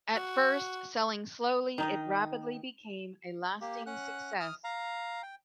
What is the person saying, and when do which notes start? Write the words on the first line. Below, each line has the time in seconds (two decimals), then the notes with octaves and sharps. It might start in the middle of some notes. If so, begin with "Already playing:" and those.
At first selling slowly, it rapidly became a lasting success.
0.15 F#4
1.78 D#3 D#4 D#5
3.61 A#3 G4
3.86 C#4 F#5 F#6
4.40 D#6 F6
4.64 F5 A#5
5.23 G5